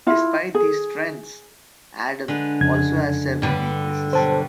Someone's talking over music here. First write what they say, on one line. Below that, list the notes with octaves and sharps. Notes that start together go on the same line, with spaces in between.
Despite these strengths, Adam also has several weaknesses.
E4 F4
G#4
D3 G#3 B4
F2 C#3 G#6
G2 D3 G3 B4
B2 F#3 G3 C5 A5